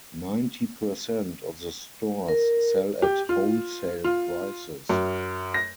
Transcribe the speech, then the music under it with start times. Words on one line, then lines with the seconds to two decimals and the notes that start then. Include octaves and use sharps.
Ninety percent of the stores sell at wholesale prices.
2.28 A#4
3.02 G4
3.29 F4
4.04 F4
4.89 F#2
5.54 A#6